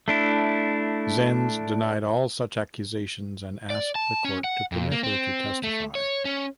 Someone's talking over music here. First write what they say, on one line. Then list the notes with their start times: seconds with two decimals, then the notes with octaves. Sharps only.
Zenz denied all such accusations and asked the court to permit her to testify.
0.08 A3 D4 E4
3.70 D5
3.95 A5
4.25 C#4
4.44 F#5
4.72 F2
4.91 A#3
5.03 C4
5.63 A3
5.95 C#5
6.25 C#4